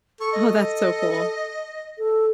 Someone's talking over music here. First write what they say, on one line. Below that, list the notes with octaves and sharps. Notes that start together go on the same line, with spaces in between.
Oh, that's so cool.
A4 C#6
D#5
A4